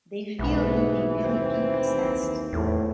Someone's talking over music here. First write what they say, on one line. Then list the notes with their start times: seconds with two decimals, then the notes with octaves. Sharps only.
They feel he may really be 'possessed'.
0.39 B1 G#2 E3 B3
1.22 D#2 C4
2.53 E2 A2